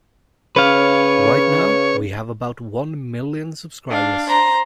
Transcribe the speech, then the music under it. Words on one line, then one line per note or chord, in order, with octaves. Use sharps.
Right now, we have about one million subscribers.
C#3 B4 C#5 F5
D4 F5
C5 A#5